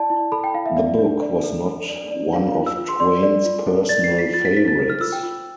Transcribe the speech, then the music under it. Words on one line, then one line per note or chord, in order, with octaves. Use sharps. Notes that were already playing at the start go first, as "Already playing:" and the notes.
The book was not one of Twain's personal favorites.
Already playing: E4 D5 A5
E4
A4 B5
G5
E4 F5
E5
D5 E5
D4
D5
A4
A4
D5
D5
D4 F5
F4
E6
F4
C6
D5 C6
D5
F4
A4
D5 A6
C7
F4
B6
F4 A6
B6
C5 B6
A6
C5
F6
F4 E6
G5
F4